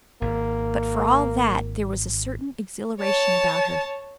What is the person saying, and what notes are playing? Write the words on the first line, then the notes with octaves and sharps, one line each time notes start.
But, for all that, there was a certain exhilaration about her.
G#1 A#3
C#5 A5